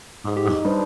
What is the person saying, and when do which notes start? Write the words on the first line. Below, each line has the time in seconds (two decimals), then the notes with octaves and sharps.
Uh, huh
0.37 G4
0.50 D#4
0.65 G3 D4 B4 C5